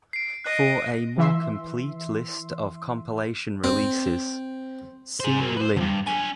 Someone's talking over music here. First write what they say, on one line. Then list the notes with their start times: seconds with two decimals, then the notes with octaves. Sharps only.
For a more complete list of compilation releases, see link.
0.13 C7 D7
0.44 D#5 F#6
1.18 E3 E5 C6
3.64 C4
5.20 G#4 C5
5.40 F#3 A#3
5.57 B4 C5
5.77 D2 G2
6.07 D4 G#5